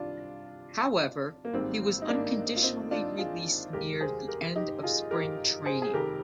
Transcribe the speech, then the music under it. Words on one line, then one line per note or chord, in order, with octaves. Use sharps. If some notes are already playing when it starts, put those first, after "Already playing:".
However, he was unconditionally released near the end of spring training.
Already playing: C2 C3 D#3 G3 D4 F4
A#3
G#1 G#2 D#3 G3 C4
D#4
A#3 D4
F4
C4 D#4
D4 F4
F4 G#4
F1 D#2 D#3 G#3 G4 A#4
A#4
G#4 C5
G4 A#4
D#4 G4
F4 G#4
G4 A#4
G#4 C5
G#4
F1 F2 D#3 G4 A#4